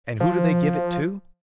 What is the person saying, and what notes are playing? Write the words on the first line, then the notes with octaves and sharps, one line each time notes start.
And who do they give it to?
F3